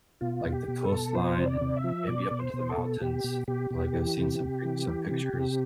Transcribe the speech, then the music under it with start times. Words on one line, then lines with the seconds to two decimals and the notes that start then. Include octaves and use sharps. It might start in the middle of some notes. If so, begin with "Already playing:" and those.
like, the coastline and then maybe up into the mountains, like, I've seen some pic some pictures.
0.21 B2 F4
0.45 B2
0.52 G4
0.68 B2
0.83 A4
0.92 B2
1.14 F3 C5
1.38 C3
1.46 D5
1.61 C3
1.77 E5
1.84 F3
2.07 B2 D5
2.31 B2
2.39 C5
2.54 B2
2.69 A4
2.77 B2
3.01 B2 G4
3.24 B2
3.48 B2 G4
3.71 B2
3.94 E3
4.17 C3
4.40 C3
4.64 E3
4.88 E3
5.11 C3
5.33 C3